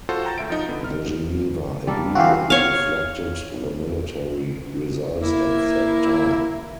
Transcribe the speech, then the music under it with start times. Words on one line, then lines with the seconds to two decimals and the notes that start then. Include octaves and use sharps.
The Geneva agreement reflected the military results at that time.
0.09 F4 F#4 A4 C5 F#5
0.24 F#5 G5 A#5 G6 A6
0.38 C#2 E5 D7
0.50 F3 D#4
0.69 D3 B3
0.84 F6
1.87 G3 A#3 A4
2.15 E3 B3 C4 F#4 G4 F5
2.50 C#5 F5
5.21 A#3 E4